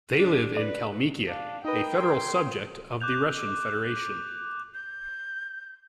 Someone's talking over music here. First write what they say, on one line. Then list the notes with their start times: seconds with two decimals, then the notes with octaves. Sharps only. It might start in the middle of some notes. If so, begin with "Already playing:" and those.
They live in Kalmykia, a federal subject of the Russian Federation.
0.14 D4 G4
0.57 B4 D5
1.28 D4 F5
1.65 D#4 A#4 B4 D#5 G5
1.97 C6 G#6
3.00 D6 F#6 G6 F7
4.74 G6